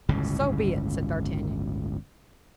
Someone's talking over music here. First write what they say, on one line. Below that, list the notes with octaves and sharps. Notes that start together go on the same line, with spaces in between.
"So be it," said d'Artagnan.
G1 C#2 A2 C#3